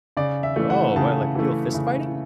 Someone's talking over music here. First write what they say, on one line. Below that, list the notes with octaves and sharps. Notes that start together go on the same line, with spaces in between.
No, well, like, people fist fighting?
C#3 D5
E5
E3 A3
F#5
C#3 A5
E3 A3
C#3